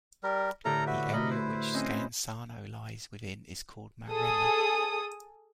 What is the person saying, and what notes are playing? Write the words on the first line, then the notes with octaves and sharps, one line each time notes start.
The area which Scansano lies within is called Maremma.
G3 A#4
A2 D3 G4 A4 A#4 A#5
F#4 B4 E5
A3 F#4 A#4 D#5 B5
E4 B4 C5
C4 C#4 D#5
G#4 A4 D#6